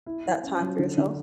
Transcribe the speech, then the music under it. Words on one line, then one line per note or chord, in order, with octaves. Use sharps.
that time for yourself?
E4
E4
C#4
F#3
D3
D3